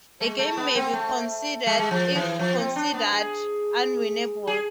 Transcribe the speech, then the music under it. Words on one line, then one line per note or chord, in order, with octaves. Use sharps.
A game may be conceded if considered unwinnable.
G#3
A3
B3
C4
A3
G#3
G#3
F3
E3
F3
C4
D4
B3
G#4
G#4